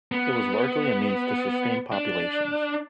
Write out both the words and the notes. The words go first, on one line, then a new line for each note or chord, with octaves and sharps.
It was largely a means to sustain populations.
B3
D4